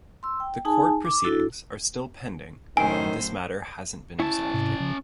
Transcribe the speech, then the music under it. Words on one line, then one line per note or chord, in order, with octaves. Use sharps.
The court proceedings are still pending and this matter hasn't been resolved yet.
C6 E6
G5
D#4 G#4 G#5 A5
D6
D4 E4 F#4 A4
F#2 A2 D#3 C5 G#5
C#4 E4 A5
G#2 C3
C#3 F3